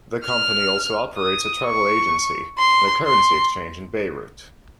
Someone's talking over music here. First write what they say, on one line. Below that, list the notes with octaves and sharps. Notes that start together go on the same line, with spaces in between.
The company also operates a travel agency and a currency exchange in Beirut.
F6
D#6
C#6
C6
C6